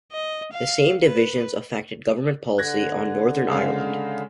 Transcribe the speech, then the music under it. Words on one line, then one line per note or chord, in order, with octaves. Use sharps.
The same divisions affected government policy on Northern Ireland.
D#5
F5
B4
D3 F#6 G#6 A#6
C#3 G#3 F5